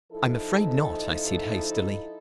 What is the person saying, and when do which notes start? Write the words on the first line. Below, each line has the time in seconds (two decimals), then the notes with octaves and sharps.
"I'm afraid not," I said hastily.
0.11 F3 D#4 E4 A4